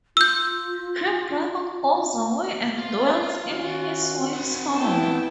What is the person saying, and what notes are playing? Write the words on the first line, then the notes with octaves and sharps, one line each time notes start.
Her brother goes away and dwells in his wife's home.
F4 E6 G6
F4
D#3 C#4 F#4
C4 C5 F#5
B3 E4 G5 A5